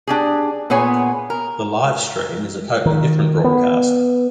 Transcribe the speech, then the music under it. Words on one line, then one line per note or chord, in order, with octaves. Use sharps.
The live stream is a totally different broadcast.
D4 G4 G#4
A#2 B3 G#4 C#5 G#5
A#4
D#3
B3